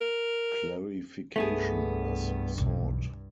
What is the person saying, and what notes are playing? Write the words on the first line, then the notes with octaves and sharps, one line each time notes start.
Clarification was sought.
A#4
C2 G2 A3 B3 G#4
B1 E2